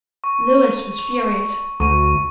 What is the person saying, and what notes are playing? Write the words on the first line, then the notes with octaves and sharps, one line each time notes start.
Louis was furious.
C#6
D2 C#6 D#7